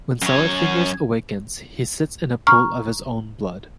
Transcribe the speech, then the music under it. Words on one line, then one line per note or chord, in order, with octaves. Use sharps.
When Salad Fingers awakens he sits in a pool of his own blood.
F#2 C#5
A#5 C#6 F6